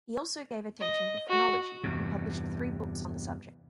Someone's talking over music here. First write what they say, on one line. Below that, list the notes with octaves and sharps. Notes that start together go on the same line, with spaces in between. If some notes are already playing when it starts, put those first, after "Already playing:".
He also gave attention to phrenology, and published three books on the subject.
D#5
F#4
E2 G2 C3